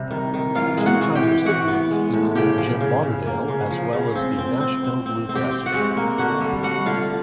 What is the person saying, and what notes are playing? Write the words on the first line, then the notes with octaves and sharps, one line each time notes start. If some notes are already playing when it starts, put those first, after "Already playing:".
Two-time recipients include Jim Lauderdale as well as the Nashville Bluegrass Band.
Already playing: C3 G3
D#3
D#3
E3 F4 F5
G#3
F#4 F#5
E3
G4 G5
E3
E3 F#4 F#5
B3
G#3
A2
C#3 G4 G5
F3
C#3
C#3
A#3
C#3
F3
C#3
C4
C4
C4
C4
C4
C4
G4 G5
C4
F#4 F#5
G#3
A#3
D3 F#4 F#5
G3
G3 F#4 F#5
D3 F4 F5